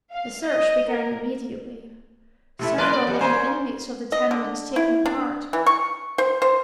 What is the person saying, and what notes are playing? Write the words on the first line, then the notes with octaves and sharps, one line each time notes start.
The search began immediately, several of the inmates of the tenements taking part.
F5
D#5
A#4
C3 A3 E4
F#2 A#3 B4 D5 C6 F#6
D5
F2 G3
A#3 C#4 C5 G#5
D#5
D3
E4
D4
E3
C#6
C5
C5